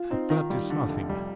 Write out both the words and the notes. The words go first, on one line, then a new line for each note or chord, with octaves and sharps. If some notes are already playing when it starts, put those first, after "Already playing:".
But that is nothing.
Already playing: F4
C4 D#4
D#3 F4
G3 F4
D3
F1
G3